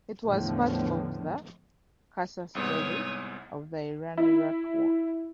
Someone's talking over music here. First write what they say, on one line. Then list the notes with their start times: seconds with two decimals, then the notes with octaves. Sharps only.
It was part of the "casus belli" of the Iran-Iraq War.
0.23 A1 E2 A2 D3 F3
2.55 C2 G#2 B3 C#5 D#6
4.17 E4